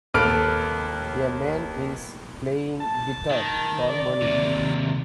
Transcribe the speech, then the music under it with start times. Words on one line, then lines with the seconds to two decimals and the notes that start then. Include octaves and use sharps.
A man is playing guitar for money.
0.14 D#2 A4 B4 F6 D7
2.81 A5
3.31 D#3
3.90 D5
4.22 D#2 C3